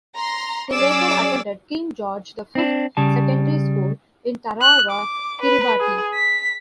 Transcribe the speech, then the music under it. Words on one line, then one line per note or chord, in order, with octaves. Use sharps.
He later attended King George the Fifth Secondary School in Tarawa, Kiribati.
A#5 C6
F#3 C#4 G#4 D5 D6 E6
C4 D4
C#3 G3 A5
F#6
D6
B4
G#4
B6